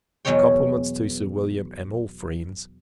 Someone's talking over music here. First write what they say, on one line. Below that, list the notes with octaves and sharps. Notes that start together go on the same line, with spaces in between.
Compliments to Sir William, and all friends.
E2 B2 F#3 G#3 C#5 G5